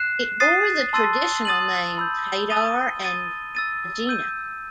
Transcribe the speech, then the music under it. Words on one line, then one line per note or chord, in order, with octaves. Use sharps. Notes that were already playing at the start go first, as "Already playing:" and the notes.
It bore the traditional names "Hadar" and "Agena".
Already playing: F#6 C7 E7
D#6 A6 C7 D#7
A5 C6 E6 A6 D#7
D#6 A6 D#7 F#7
B5 E6 G6
D#6 A6 D#7 G7
D#6 A6 D#7 G7
E6 A6 D#7
E6 G6 D#7